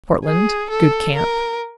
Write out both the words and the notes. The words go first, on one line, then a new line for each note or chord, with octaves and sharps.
Portland.--Good camp.
G#4
A4
A#4